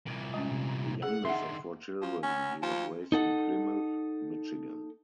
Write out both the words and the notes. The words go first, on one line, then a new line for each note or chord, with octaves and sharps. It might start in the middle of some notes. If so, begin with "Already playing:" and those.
The youngest of four children, he was raised in Plymouth, Michigan.
C2 A#2
G#3 C#4
C3
G#4 F#5
D3 D#3 E5 F#5 C6
F3
C#4
F3
D#4 A4 F#5